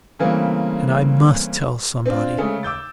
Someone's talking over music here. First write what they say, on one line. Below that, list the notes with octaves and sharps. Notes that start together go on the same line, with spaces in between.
And I MUST tell somebody!
C#3 E3 G3 A3 A#3 C4
C4 D4 F4
C#3 G#3 A3
D6 E6 G6 A6